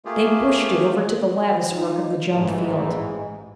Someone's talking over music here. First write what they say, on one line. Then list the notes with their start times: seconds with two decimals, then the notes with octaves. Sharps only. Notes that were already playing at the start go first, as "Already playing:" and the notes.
They pushed it over to the latticework of the jump-field.
0.05 A3 A#3 F4 G4 G#4
1.71 D#4 F4
2.31 A1 G#2 E3 G#3